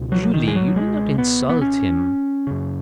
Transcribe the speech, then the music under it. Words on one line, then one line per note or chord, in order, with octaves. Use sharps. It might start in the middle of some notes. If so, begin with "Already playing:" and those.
"Julie--you need not insult him."
Already playing: C#2 B2
F#3
D#3
G#3
F#3
G#3
B3
B3
C#4
F#2 C#3